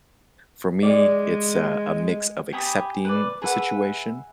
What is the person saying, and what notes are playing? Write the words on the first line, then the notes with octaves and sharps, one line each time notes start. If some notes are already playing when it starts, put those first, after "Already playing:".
For me, it's, uh, a mix of accepting the situation,
G#3 D5
G4 G#5 B5 D#6
B4 D5
G#4 B4 E5 F#5